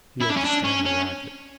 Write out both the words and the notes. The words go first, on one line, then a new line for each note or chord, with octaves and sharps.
He had to stand the racket.
E4
D4
C#4
D4
C#4
C#4